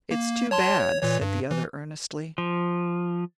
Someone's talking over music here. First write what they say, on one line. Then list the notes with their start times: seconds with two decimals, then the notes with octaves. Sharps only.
"It's too bad," said the other, earnestly.
0.11 A#3
0.51 C#5 A5 C6
0.80 C#5
1.01 A#2 E3 C#5
1.21 G2
1.51 E3
2.38 F3